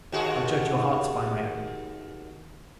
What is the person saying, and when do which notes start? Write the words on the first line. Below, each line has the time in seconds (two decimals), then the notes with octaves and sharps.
I judge your hearts by my own.
0.12 D#2 F#4 G#4